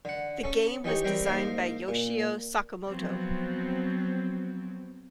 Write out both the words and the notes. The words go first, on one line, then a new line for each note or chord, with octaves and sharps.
The game was designed by Yoshio Sakamoto.
D3 F#5
C#4 A4
E3 D#4 G4 C#5
G3 C4 A#4 G5
G#2 A#3 A#4 C5 F5
A#2
F3 F#3 B3 C4